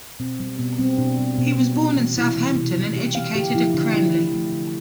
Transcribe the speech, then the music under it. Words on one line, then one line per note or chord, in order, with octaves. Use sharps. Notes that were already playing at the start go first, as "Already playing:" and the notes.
He was born in Southampton and educated at Cranleigh.
B2 C4
G3
B2 B3
G3 C4
B2 D4
G3
B2 B3
G3
C3
E3 G3
C3 E4
E3 G3
C3
E3 G3
C3 G4
E3 G3 F5
D3 G4
F3 A3 E4
D3 D4
F3 A3 E4
D3
F3 A3
D3